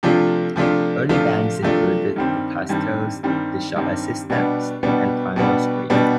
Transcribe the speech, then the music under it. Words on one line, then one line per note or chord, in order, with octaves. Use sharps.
Early bands included The Pastels, The Shop Assistants and Primal Scream.
C3 F3 A3 D4 F4
C3 F3 A3 D4 F4
C3 F3 A3 D4 F4
C3 F3 A3 D4 F4
G2 D#3 G3 C4
G2 D#3 G3 C4
G2 D#3 G3 C4
G2 D#3 G3 C4
B2 G3 B3 D4
B2 G3 B3 D4
B2 G3 B3 D4
B2 G3 B3 D4